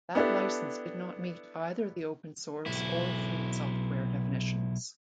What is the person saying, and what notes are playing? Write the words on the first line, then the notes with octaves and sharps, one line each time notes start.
That license did not meet either the open source or free software definitions.
B3 D4 E4 G4 A4
B1 E4